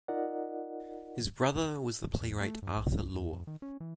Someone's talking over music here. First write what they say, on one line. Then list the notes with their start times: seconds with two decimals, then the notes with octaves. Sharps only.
His brother was the playwright Arthur Law.
0.08 D#4 F4 A#4 D5 D#5 F#5
2.21 E2
2.41 A3
2.62 G2
2.77 A#1
3.01 C2
3.14 E2
3.33 F2
3.47 D#3
3.62 C#4
3.80 E3